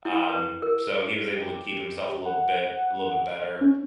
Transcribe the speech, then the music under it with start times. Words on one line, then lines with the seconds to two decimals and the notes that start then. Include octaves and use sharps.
um, so he was able to keep himself a little bit a little bit better,
0.05 E4
0.30 B4
0.62 A#4
1.32 G4
2.25 F#5
3.61 C#4